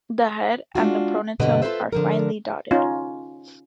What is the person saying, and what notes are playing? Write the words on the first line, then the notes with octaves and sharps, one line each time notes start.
The head and the pronotum are finely dotted.
G#3 D4 F4 F#4
G2 B2 D3 G3 B4 D#5
F4 F#4 A4 B4 C5 E5
D3 F3 A#4
C#4 D#4 F4